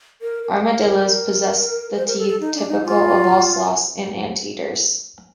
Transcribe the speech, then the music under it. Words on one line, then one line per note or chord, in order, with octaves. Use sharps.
Armadillos possess the teeth typical of all sloths and anteaters.
A#4
A#4
A#4
A#4
C5
A#4
A4
A4
D#4
D4
D#4
F4